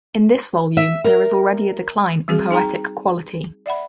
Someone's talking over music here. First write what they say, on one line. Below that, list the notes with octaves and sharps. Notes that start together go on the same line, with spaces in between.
In this volume there is already a decline in poetic quality.
E5
A#4
G3 C4 F#4 G#4
D#4 G#4 G5 A#5
D5 E5 F#5 B5